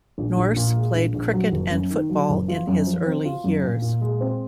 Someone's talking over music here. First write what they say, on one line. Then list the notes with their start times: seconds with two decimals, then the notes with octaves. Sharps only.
Nourse played cricket and football in his early years.
0.18 A#1
0.37 A#1
0.56 A#2
0.76 G#3
0.95 A#1
1.14 A#1
1.33 F#3
1.52 F#1
1.71 F#2
1.91 D#3
2.10 F#3
2.29 F#1
2.48 F4
2.67 F#2
2.87 F3
3.06 C4
3.25 F4
3.44 F#2
3.63 A#2
3.82 A#2
4.01 G#3
4.21 C4